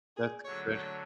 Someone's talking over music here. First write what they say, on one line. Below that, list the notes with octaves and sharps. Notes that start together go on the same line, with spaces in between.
That's good.
G#4
D3 F#3 A3 C#5
C#5